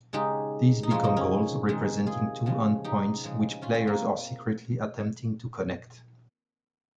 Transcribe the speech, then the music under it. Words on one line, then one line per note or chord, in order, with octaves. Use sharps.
These become goals, representing two end-points which players are secretly attempting to connect.
C#3 G#3 D#4 G4
D#4
C#3 F3 G#3 C#4 F4
C4 D#4
A#3 C#4
C3 D#3 G#3
F4 G#4
C#3 F3 G#3
D#4 G4
C#3 F3 G#3
C#4 F4
C4
A#3